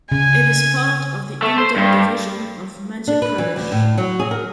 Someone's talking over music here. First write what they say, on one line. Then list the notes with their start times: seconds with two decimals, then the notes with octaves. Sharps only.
It is part of the Indore Division of Madhya Pradesh.
0.12 C#3 G#5
1.42 A3
1.58 C5
1.76 G2
3.07 D4
3.22 B4
3.38 E3
3.56 D2
3.72 A2
3.98 F#3
4.19 G#4
4.31 A#4